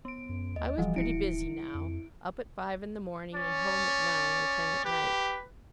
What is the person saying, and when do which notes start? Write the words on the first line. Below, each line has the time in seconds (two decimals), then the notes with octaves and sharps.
I was pretty busy now; up at five in the morning, and home at nine or ten at night.
0.05 B3 D7
0.29 F#2
0.56 D#2 D#5
0.78 D#1 E3 F3 G3
0.96 D1 E4 C#7 D7
1.74 F2
3.35 C#4 D5
4.85 G4 B4